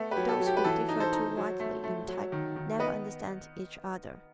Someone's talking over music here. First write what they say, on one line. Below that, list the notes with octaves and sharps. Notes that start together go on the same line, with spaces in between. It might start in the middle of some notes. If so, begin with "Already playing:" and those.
Those who differ too widely in type never understand each other.
Already playing: A3 B3
G4 B4
F#3
A4
F#3
G4
B4
E3 A4
D#4
A4 C5
D#4
F#3
A3
A3
F#3
D#3
D#3
B3 B4 D#5